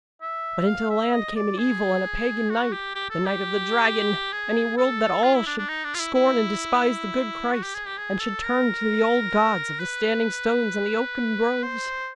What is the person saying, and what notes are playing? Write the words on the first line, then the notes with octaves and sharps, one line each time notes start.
But into the land came an evil and a pagan knight, the knight of the Dragon, and he willed that all should scorn and despise the good Christ, and should turn to the old gods of the standing stones and the oaken groves.
E5
F5
E5
D#5
D5
G#4
F#4
G4
G4
A4
G4
G#4
A4
F4
E4
D4
D4
D#4
D4
F4
E4
E4
F#4
G4
G#4
G4
G#4
A4
A#4
B4
C5